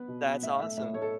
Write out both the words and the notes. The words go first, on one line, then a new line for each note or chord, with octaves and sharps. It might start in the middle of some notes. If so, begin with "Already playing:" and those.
That's awesome.
Already playing: B3 B4
B2
B3
A2 E5
A3 E5
A2 E5
A3 C#5
A4